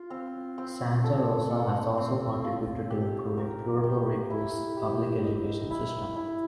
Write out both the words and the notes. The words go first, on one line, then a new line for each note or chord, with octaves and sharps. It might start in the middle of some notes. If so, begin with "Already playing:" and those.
Santa Rosa has also contributed to improving Puerto Rico's public education system.
Already playing: F4
C4
C4
A4
A4
C4
F4
G4
A#4
G4
E4
G4
D#5
E4
E4